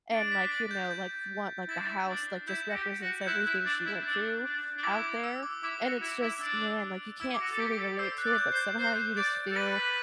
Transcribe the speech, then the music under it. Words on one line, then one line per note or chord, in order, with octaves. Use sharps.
and, like, you know, like, f want like, the house, like, just represents everything she went through out there, and it's just man, like, you can't fully relate to it, but somehow you just feel
D4 D7
B6
A6
G6
G6
E4 A6
D4
E4
D4
E4 G6
F#4
G4
F#4
G6
E4 F#6
E4
D4
E4
D4
D4
D4
E4 D6
D6
E6
D6
E4 D6
F#4
E4
E4
D4 E6
E4 E6
D6
F#4
A4
G4
D6
G4
A4
D5
C5 E6
F#6
D5
G6
C5
G6
C5 F#6
D5 G6
A4
B4 A6
B6